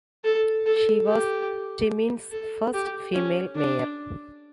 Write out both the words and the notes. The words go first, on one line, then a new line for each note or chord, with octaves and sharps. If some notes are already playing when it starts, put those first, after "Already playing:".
She was Timmins' first female mayor.
A4
A4
G4
A4
G4
C#4
D4